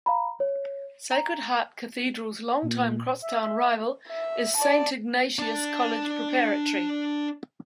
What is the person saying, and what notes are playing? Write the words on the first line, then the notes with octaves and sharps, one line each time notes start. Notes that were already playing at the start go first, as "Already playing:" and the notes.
Sacred Heart Cathedral's long time cross-town rival is Saint Ignatius College Preparatory.
F5 A#5 B5
C#5
A#5
A#2
E5
E5
D5 A5
D4 A5